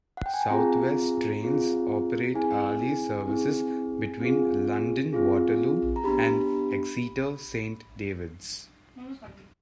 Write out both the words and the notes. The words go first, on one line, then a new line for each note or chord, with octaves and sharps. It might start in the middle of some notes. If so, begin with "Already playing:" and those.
South West Trains operate hourly services between London Waterloo and Exeter Saint Davids.
F#5
G5
G#5
A5
C4 F4 G#4 A#5
C4 F4 G#4
C4 E4 G#4 G#5
C4 E4 G#4
C4 F4 G#4
C4 F4 G#4
A#5
B3 D4 G4 B5